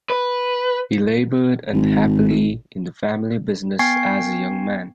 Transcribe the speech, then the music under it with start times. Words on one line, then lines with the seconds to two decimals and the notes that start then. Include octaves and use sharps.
He labored unhappily in the family business as a young man.
0.10 B4
1.72 G#1
3.79 B3 G5 G#5 C#6 G#6 C7